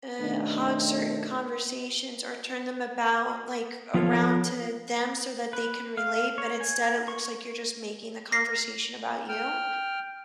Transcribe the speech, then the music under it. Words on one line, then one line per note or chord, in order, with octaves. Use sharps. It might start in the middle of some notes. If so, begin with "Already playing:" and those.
uh, hog certain conversations, or turn them about, like, around to them, so that they can relate, but instead, it looks like you're just making the conversation about you.
B2 D#3 A3 C#4 D4
F3 B3 F4 A4 C#5
B4
F5
C#5
G#5
C#6
A#6 C7
G5 F6